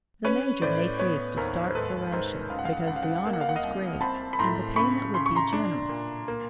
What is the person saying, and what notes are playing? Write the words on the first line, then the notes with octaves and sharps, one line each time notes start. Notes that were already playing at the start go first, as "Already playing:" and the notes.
The major made haste to start for Russia, because the honor was great, and the payment would be generous.
C#4 B4 C#5
A2 C5 D5
B3 B4 C#5
D#2 A#4 C5
C5
G#2 A4 B4
G#2 A#4 C5
C#2 F5
F#5
F5
F#5
F5
C#2 F#5
F5
F#5
F5
F#5
A#3 F5
F#5
F5
F#5
D#5 F5
C2
C4 A5 B5
B5
A2 A#5 C6
C#3 B5 C#6
C#3 C6
C#6
A#5 C6
D4
A#2
A#3